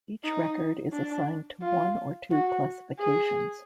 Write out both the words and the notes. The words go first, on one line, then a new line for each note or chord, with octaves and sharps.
Each record is assigned to one or two classifications.
D#4
D4
F4
F#4
G#4